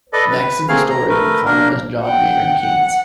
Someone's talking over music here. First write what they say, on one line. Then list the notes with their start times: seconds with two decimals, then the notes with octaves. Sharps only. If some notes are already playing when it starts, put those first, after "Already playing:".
Next is the story of economist John Maynard Keynes.
0.13 A4 B4 D5 D#5
0.30 B4
0.69 A3 A#3 C4 G#4 F5 F6
0.90 A#5
1.09 A3 A#4 B4
1.45 A#3 D4 A#4
2.02 F#5 G5
2.60 F#5